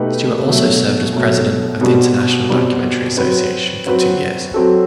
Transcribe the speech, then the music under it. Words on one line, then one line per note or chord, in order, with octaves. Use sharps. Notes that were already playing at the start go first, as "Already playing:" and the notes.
Stuart also served as president of the International Documentary Association for two years.
Already playing: B2 A3 D#4 G4 B4
B2 F#3 A3
B2 F#3 A3
B2 G3 C4 F#4
B2 G3 C4 F#4
F#3 C4 F#4 B4
F#3 C4 F#4 B4
F#3 C4 F#4 A4